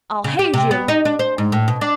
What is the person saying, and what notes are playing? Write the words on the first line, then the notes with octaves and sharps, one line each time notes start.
I'll haze you!
C#3
G4
C3
B3
D#4
D4
C5
G#2
A2
B2
D4